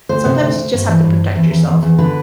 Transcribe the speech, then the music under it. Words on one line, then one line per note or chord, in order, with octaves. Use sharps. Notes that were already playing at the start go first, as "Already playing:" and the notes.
"Sometimes you just have to protect yourself."
D2 C5
C3
D2
D2
G2
E3
G2
G2
E2
E2
E2
E2
D3 B4